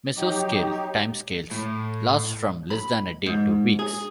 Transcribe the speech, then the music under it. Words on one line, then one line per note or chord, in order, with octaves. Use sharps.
Mesoscale timescales last from less than a day to weeks.
F#3 D#4 G4
A2
B5
G#2
G#4